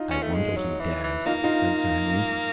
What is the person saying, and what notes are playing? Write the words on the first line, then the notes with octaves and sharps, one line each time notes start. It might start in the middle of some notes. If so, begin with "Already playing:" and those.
"I wonder he dares," said Sir Henry.
Already playing: D#4 F4
C#4
A3
G#3
F#3
E3
E3
A#3 D#4 F4
D#4 F4